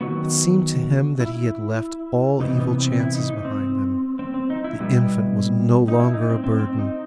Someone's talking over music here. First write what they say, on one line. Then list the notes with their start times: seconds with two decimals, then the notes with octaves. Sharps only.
It seemed to him that he had left all evil chances behind him. The infant was no longer a burden.
0.01 D#3 F#3 B3 F#4
1.20 E4
2.40 C3 E3 B3 D#4
2.60 B3
2.80 C4
3.00 E4
3.15 D#4
3.30 D#4
3.45 C4
4.19 C4
4.34 C4
4.50 D#4
4.64 E4
4.80 B2 G3 B3 E4
5.88 D#4
6.00 E4
6.14 D#4
6.30 C4
6.44 C4
6.59 C4
6.79 D#4